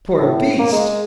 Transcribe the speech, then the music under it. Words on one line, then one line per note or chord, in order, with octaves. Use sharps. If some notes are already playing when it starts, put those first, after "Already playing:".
"Poor beast!"
A2
A#3
G#3